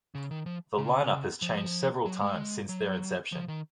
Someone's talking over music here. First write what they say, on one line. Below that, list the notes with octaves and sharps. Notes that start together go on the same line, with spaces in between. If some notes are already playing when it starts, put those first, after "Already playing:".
The lineup has changed several times since their inception.
C#3
D#3
F3
C#3
F3
F#3
G#3
F#3
F3
D#3